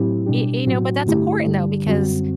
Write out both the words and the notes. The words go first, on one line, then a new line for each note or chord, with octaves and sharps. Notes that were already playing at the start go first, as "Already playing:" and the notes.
e e know, but that's important though, because,
Already playing: A2 F#3 C4 E4 G4
B2 G3 D4 G4
A2 F#3 C4 F#4
G2 D3 A3 E4 G4
G2 D3 G3 D4 G4
F#2 D3 G3 C4 F#4